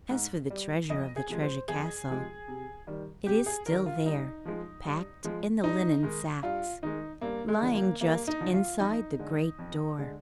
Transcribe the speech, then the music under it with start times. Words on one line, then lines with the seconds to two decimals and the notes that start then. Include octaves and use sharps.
As for the treasure of the treasure castle, it is still there, packed in the linen sacks, lying just inside the great door.
0.11 G#2
0.50 G3
0.89 F2 D#5
1.16 G#4
1.29 C3 F3 G#3
1.42 C5
1.68 F2 G#4
2.08 C3 F3 G#3
2.48 C3
2.87 D#3 G3
3.26 C3 G4
3.46 G#4
3.66 D#3 G3 A#4
3.86 F4
4.05 G2 D#4
4.46 F3 G#3
4.85 G2
5.24 F3 G#3
5.64 G2 D#4
6.03 D#3 G#3
6.43 G2 F4
6.82 D#3 G#3 D#4
7.21 G2 A#3
7.48 G#3
7.62 D3 F3
7.75 A#3
8.01 G2 A#3
8.27 D#4
8.40 D3 F3
8.54 F4
8.80 F2 D#4
9.19 D3 G#3
9.59 F2
9.98 D3 G#3